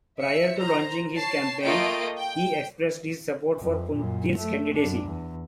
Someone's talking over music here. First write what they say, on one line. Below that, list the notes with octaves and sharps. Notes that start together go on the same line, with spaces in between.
Prior to launching his campaign, he expressed his support for Putin's candidacy.
E5 C#7
C5 A#5
C#5 A5 C7
A3 A#3 F4 D#5 G5 D7
G5
F2
F#2 A#2
A3
F#2 D4
E2